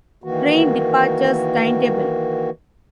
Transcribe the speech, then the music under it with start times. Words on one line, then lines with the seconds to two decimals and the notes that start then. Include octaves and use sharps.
Train departures timetable.
0.24 D#3 E3 A#3 F#4